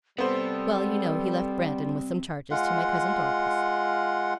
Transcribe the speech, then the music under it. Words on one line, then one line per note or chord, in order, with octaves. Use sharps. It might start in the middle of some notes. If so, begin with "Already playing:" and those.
Well, you know he left Brandon with some charges to my Cousin Dorcas.
C3 G3 B3 A4 C5
G#3 F4 F#5